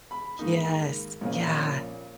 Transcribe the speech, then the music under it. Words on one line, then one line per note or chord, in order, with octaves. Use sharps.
Yes, yeah.
B5
G#2 D#3 A#3 D#4
A#1 A#2 A#3 C#4